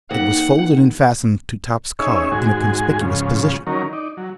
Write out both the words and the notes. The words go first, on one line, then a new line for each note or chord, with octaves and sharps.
It was folded and fastened to Top's collar in a conspicuous position.
D#2 F#5
C#4 D#4 G#4 C#5 E5
D#2 G#2 G#3 F#4 G#5
G#2 C#3 F3
D#3 F#3 C#4 A#4
D#4 D5
F#3